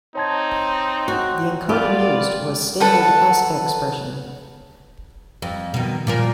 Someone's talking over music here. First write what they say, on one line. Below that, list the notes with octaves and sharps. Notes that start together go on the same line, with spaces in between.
The encoding used was standard S-expression.
C4 D#4 C#5 A5 G#6
F#4
G#3 B3 F4 G4 D5
A4 B4 F#5
F2
B2 D#3
A#2 F3 A#4